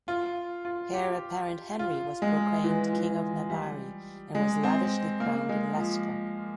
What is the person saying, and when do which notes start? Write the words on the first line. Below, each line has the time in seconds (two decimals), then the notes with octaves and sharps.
Heir apparent Henry was proclaimed King of Navarre, and was lavishly crowned in Lescar.
0.08 F4
0.65 F4
0.94 G4
1.79 F4
2.22 G#3
2.64 E3
2.93 E3
3.50 G3
4.35 G#3
4.63 C4
5.20 A#3
5.49 G#3
5.77 F3